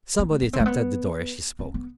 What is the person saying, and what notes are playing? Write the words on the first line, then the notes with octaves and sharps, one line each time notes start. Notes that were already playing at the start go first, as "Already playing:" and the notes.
Somebody tapped at the door, as she spoke.
B3
A3
B3
C4
A3
B3
C4
B3